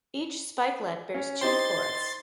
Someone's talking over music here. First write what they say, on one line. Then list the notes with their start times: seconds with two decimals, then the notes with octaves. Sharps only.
Each spikelet bears two florets.
1.14 C#4
1.41 D#4 G4 C5 C6 A6